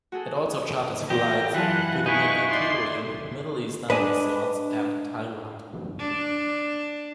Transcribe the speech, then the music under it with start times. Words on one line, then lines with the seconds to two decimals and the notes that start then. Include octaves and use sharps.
It also charters flights to the Mediterranean, Middle Eastern resorts and Thailand.
0.12 F#4 G#4 A4
1.10 E2 G4 A#6
1.54 F#2 E3 F4 F#5 A5 F#6
2.06 D#4 E4 G#5 C#6 F#6
2.49 D5 C6
3.90 D4 B4 D#5 G#5
6.00 D4